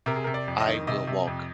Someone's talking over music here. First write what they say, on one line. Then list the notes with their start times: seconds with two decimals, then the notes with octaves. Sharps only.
I will walk
0.06 C3 A#4
0.16 G#4
0.24 C3 A#4
0.34 D5
0.48 F2
0.60 D#5
0.67 D#3
0.87 C3 D#5
1.07 C3
1.27 F2